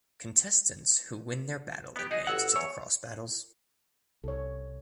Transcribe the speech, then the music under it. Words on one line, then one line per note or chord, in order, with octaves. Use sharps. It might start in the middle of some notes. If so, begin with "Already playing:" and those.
Contestants who win their battle advance to the Cross battles.
B3 G4
D#4 F#4 G#4 D#5
G1 F#4 C#5 F#5 E6
E2 C#5
C2 A4 C#5